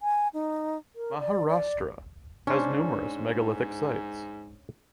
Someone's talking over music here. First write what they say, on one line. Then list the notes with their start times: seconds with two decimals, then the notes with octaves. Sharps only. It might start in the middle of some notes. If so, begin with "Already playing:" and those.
Maharashtra has numerous megalithic sites.
0.01 G#5
0.34 D#4
0.95 A#4
1.19 D5
1.48 D5
2.47 G#2 C#4 D4 C5